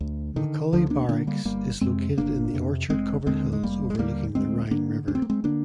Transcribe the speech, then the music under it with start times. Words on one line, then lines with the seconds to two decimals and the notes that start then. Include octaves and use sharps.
McCully Barracks is located in the orchard-covered hills overlooking the Rhine River.
0.01 D2
0.36 D3 D#3
0.73 D2 D3 F3
0.90 A#3 D4
1.09 D3 A#3 D4
1.27 G3 A#3
1.45 G1 G3 A#3
1.81 F2 C3 G#3 C4
2.18 G1 A#3 D4
2.54 F2 C3
2.90 F1 G#3 C4
3.27 D#2 D3 G#3 C4
3.53 G#3
3.63 F1 G3 A#3
3.90 G#3
3.99 D#2 D3 G3 A#3
4.35 D2 G#3 C4
4.71 D3 A#3 D4
5.08 D2 D4
5.15 C4
5.22 A#3
5.30 G#3 C4
5.44 D3 A#3 D4